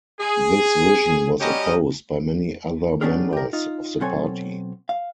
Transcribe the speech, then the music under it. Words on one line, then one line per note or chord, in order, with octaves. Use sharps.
This vision was opposed by many other members of the party.
G#4
F#2 G3 C#4 G4 D#5
B3 C#4 D4 G4 G#4 A#4
G4 A#4
D#4 F4
B2 F#3 C4 A4 C#5 G#5
F5